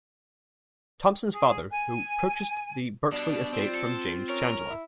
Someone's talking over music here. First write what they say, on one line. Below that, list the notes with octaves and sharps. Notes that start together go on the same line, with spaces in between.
Tompson's father who purchased the Bexley estate from James Chandler.
G#4
G#5
B2 G3 D4
C4 F4
A4
C#4 A#4
E4